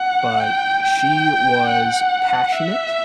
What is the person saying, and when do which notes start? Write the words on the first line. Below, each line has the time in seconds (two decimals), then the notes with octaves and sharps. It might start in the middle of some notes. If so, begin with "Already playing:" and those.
But she was passionate
Already playing: F#5
0.41 G5
0.83 G5
1.68 F#5
2.52 E5